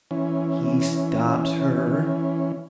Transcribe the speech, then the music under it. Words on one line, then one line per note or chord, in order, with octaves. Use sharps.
He stops her.
E3 C#4